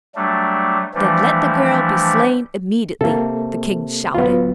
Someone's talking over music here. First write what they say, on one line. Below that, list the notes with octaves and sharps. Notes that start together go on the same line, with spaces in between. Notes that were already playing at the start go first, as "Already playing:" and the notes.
"Then let the girl be slain immediately," the king shouted.
F#3 G3 A3 D4
E3 F3 G3 A3 D4
C3 A#3 A4
D1 F#3 B3 F4